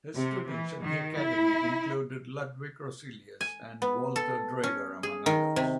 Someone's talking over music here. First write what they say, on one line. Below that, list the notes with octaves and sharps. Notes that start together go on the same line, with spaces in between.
His students at the academy included Ludwig Roselius and Walter Draeger among others.
C3
E3
D#3
E4
G#5
B3
A4
C#4
G#4
D#3
C3